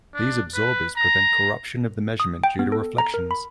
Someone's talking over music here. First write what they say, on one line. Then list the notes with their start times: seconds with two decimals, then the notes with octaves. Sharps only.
These absorbers prevent corruption of the measurement due to reflections.
0.14 D4
0.54 B4
0.97 A#5
2.20 D#6
2.44 G5
2.59 B3
2.72 A4
2.98 A#5
3.14 A#4
3.31 B5